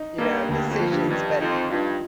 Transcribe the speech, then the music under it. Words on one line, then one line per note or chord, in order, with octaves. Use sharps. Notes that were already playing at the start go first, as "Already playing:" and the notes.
you know, decisions, but
Already playing: D#4
G2 A#3
D2 G2
F2
F3
G2
G2 D#3
F2 D#4
G2 F4